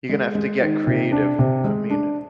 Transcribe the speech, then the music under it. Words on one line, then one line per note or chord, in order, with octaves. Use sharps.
You're gonna have to get creative, I mean,
G#3
G#3
D#3
C3
D4
C3
G#3
D4